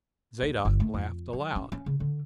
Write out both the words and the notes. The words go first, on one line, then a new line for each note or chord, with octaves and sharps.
Zadok laughed aloud.
D#2
G1
A3
F2
F#3
C#4
C#4
C#3
D3